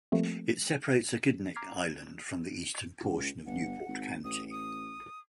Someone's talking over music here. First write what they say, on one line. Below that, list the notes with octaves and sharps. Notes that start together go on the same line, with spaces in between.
It separates Aquidneck Island from the eastern portion of Newport County.
F3 G3 A3 A#3 C4
A#5 D6 F6 G#6 B6 C7
C#2
G1 F#5
G#1
A1 D#6
D#6